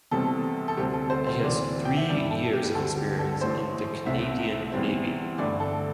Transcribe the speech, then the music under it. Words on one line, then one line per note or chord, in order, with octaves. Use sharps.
He has three years of experience in the Canadian Navy.
E2 C3 G3 C4 A4
A4
D2 C3 G3 C4 G4
A4
C5
C5
D2 C3 E3 D5
G5
E5
G2 E3 G3 D4 D5
A4
G4
D2 D3 C4 A4
G4
A4
A1 A2 A3 D4 C5
C2 C3 A3 E5
E2 E3 G3 C4
G2 D3 A3 D4 D5
A4